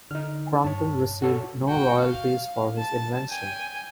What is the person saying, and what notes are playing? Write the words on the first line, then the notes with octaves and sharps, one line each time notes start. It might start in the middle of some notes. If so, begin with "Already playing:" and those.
Crompton received no royalties for his invention.
D3 D#4 F6
G2 C#5 A5
F#4 A4 C#5
F#4 G5
F5
A5
G5 G#5